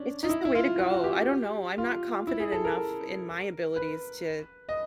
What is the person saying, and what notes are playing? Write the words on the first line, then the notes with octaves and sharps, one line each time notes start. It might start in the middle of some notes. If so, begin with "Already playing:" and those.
It's just the way to go, I don't know, I'm not confident enough in my abilities to
Already playing: C#4 D4
D#4
E4
E4
F4
F#4
F#4
G4
F4
E4
G#4
A4
A#4
B4
D#5